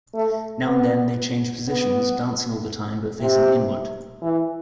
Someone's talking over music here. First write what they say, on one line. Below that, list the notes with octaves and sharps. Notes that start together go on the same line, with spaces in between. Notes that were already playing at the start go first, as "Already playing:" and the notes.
Now and then they change positions dancing all the time but facing inward.
A3
B3
B3
C3
E3